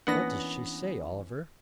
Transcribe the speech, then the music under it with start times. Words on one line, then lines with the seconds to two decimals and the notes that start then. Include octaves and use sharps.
"What does she say, Oliver?"
0.07 E3 A#3 B3 C#4 D4 F#5 A#6